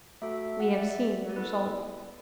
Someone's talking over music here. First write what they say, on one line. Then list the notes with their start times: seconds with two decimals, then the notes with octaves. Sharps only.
We have seen the result.
0.22 A3 F#4 A4 E5
0.60 F#5
0.74 D5
0.79 E5
1.29 D5
1.36 B3 E4 A4 B4